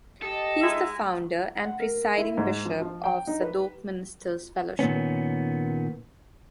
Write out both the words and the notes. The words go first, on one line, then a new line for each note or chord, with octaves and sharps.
He is the founder and presiding bishop of Zadok Ministers Fellowship.
G4 A4 D#5
G#3 D#4 E5
F#5
A#4
E4
G#2
F3
F3
G5
D#4
B4
A#2 D#3 B3 C#4